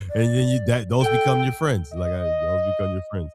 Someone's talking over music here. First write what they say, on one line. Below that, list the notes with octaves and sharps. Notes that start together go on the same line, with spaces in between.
and then you that those become your friends, like I those become your friends.
D5
A4 G5
D#5